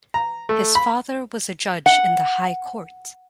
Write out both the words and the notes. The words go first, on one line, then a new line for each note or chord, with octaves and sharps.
His father was a judge in the High Court.
A#5
A3
B5
F#5